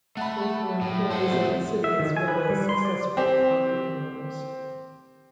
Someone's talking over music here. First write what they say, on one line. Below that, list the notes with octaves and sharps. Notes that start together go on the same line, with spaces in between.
Both were employees of the city as well as successful entrepreneurs.
A3 F#5 B5
A2
A2 C5 F#5
C3 F3 A3
E5
D#3
G#5
B4
G3
C6
D5
C4 G4